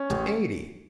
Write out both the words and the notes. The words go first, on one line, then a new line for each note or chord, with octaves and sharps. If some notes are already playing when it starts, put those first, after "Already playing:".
To eighty! ...
Already playing: C#4
A1